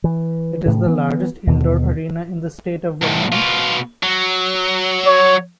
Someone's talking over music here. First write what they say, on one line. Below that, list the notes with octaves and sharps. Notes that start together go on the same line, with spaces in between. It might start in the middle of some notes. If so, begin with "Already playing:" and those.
It is the largest indoor arena in the state of Vermont.
E3
A2 C#3
E3 B3
D#2 B2 D3
C2 A2
B2 F4
F#3
C#5